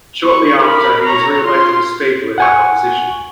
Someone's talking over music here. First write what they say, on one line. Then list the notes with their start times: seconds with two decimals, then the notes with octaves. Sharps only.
Shortly after, he was re-elected as speaker without opposition.
0.24 C#6
0.63 A#4 B5
1.06 C#5 A#5
1.44 F4 C6
2.38 F#5 G#5 C#6